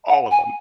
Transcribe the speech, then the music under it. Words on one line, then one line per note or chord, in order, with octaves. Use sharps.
All of 'em.
F#5
G#5